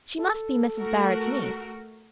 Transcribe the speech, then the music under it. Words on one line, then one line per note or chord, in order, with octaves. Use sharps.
She must be Mrs. Barrett's niece.
A4
A3 F#4 A#4